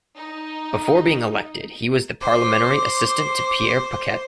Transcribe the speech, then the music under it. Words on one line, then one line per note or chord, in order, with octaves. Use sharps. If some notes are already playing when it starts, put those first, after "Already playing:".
Before being elected, he was the parliamentary assistant to Pierre Paquette.
D#4
C5 D6